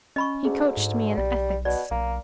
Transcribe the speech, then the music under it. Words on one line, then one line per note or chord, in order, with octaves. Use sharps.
"He coached me in ethics."
C#4 D#5 B5 C#6
D2 G#4
G#2
B1 G3
B2 D5
B1 A#3